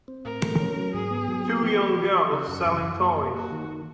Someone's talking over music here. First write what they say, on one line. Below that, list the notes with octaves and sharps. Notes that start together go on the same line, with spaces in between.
Two young girls selling toys.
C4
A2 A#4
A3
C#4
F#3
G#2 G#4
B3
F#3
B3
F3 G4
A#3
F3
F3
C#3 F#4
F#2
F#2
F#2
A#3 F4
A#3
A#3 F#4
D#3